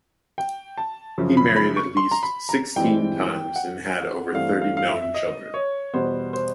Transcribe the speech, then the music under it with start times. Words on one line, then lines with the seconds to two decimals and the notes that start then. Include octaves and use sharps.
He married at least sixteen times and had over thirty known children.
0.38 G5
0.78 A5
1.18 F#2 C#3 F3
1.37 B5
1.56 B5
1.77 C#6
1.97 C6
2.11 A#5
2.23 B5
2.49 A#5
2.76 G2 E3 G#3 C4 G5
3.56 F#5
4.34 G2 E3 A3 C4 F5
4.61 F5
4.77 F5
4.88 E5
5.02 E5
5.14 D#5
5.54 C#5
5.94 E2 B2 G3 B3 C5
6.33 C5